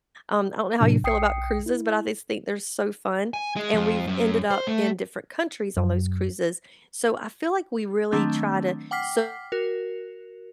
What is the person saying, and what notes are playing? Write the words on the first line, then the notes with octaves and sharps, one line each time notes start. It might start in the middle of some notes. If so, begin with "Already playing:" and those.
um, I don't know how you feel about cruises, but I just think they're so fun, and we've ended up in different countries on those cruises, so I feel like we really try to soak
A2 C3 F#3 D4
B1 G5 D#6 C7 C#7
E4
G#5
G#3
F2
F#2
C5
A3
F#2
D#3 F#3 A3 C4 D4
F#5 G5 D6 F6 B6 C7
F#4 A#4